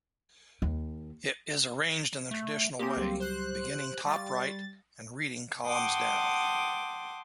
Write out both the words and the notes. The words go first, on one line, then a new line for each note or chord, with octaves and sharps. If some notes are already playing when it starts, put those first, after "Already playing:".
It is arranged in the traditional way, beginning top right and reading columns down.
D#2
A3
A#3 C4 G4 G#5 C6 D#6
C#2 F#3 G3
C5 F#6
G3 F5 C6 C#6 A6
F#5 G5 A5 C6 D6 D#6